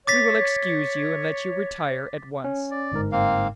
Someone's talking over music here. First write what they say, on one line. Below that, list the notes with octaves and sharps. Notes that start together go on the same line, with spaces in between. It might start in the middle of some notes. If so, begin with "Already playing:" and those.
"We will excuse you and let you retire at once."
C#5 D6 A6 B6
C#4
D5
G1 G#2 A#4
A#3 C4 F5